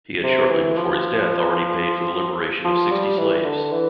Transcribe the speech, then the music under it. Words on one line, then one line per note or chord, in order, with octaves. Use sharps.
He had shortly before his death already paid for the liberation of sixty slaves.
C3
E3
F3
F3
G3
E3
D3
E3